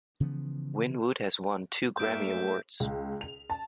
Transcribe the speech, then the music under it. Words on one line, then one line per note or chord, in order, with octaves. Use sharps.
Winwood has won two Grammy Awards.
C#3 E3 F3 B3
G2 A3 A#3 E5 G6 D7
C#2
F7
A5